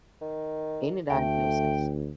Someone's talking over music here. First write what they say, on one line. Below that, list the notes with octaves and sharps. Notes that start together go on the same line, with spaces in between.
Any diagnosis.
D#3
D2 A3 G5